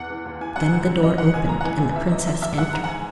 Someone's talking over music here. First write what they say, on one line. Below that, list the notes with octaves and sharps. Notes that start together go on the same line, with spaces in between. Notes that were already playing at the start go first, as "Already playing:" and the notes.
Then the door opened, and the princess entered.
Already playing: E2 F#5
E3
D#2
E3 G#5
F#2 F#5
C#2
C#2
G#2 D#5
G#2 F#5
C#2 G#5
C#2 A#5
F#5
E3 G#5
F#2 G#5
E2 E5
E2 D#5
E3 E5
D#2 E5
G#2 F#5
G#2 A#5
F#5
G#5